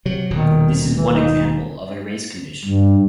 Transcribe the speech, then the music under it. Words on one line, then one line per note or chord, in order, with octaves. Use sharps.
This is one example of a race condition.
C3 F#3
D#1 B2 D#3
E3
D#4
G2